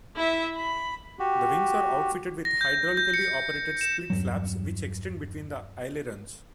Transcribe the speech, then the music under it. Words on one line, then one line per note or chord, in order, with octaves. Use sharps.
The wings are outfitted with hydraulically-operated split flaps, which extend between the ailerons.
E4 E5
B5
F#4 G4
A#6
G6
G6
C#7
E7
E2 G2 F#3